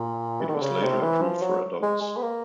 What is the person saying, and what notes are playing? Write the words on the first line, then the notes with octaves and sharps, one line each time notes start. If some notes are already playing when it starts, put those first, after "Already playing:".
It was later approved for adults.
Already playing: A#2
E3
D#3
D3
C#3
C3
E3
F3
F#3
G#3
G#3
B3
A#3